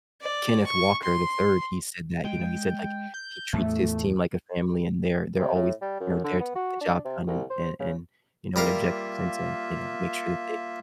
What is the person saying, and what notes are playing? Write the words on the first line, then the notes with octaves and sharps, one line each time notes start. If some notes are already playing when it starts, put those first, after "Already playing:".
Kenneth Walker III, he said that, you know, he said, like, he treats his team like a family and they're they're always, you know, there to get the job done and and and, you know, an objective sense and, you know, make sure that they
D5
C#6
C6
G#3 G5
G6
E2 A2 A3
C3
A2
G3
F#2
D3
B3
F#4
D4
C3
C2
C5
C#3
G3 A#3 F4 A#4 E5 F5